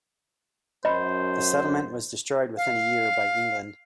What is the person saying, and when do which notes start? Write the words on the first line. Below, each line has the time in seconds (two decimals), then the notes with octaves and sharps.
The settlement was destroyed within a year by England.
0.85 F#2 C5 D#5 B5
2.57 F5